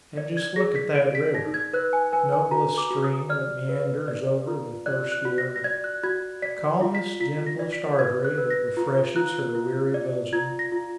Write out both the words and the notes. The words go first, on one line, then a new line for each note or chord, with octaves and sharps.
And just look at that river--noblest stream that meanders over the thirsty earth!--calmest, gentlest artery that refreshes her weary bosom!
D5
G#6
G#4 A#6
B6
D5 D7
B6
D#4 A#6
G#6
B4 F#6
G#5
B4 G#5
G#5
F#4 A#5
D6
F#4
D#6
D5 F6
B4
D5
F4
D5 F#6
F#6
F#4
A#6
A#6
D5 G#6
F#6
F#4 G#6
D5 B6
F4
B6
F4 B6
A#6
D5
B6
B4 G#6
F#6
B4
A#6
F4
F4 F#6
F4
D5
F4 G#6
A#6
F4